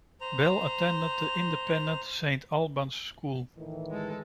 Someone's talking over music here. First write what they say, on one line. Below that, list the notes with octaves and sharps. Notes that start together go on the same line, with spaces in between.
Bell attended the independent Saint Albans School.
C5 A#5
A2 D#3 E3
G#3 A4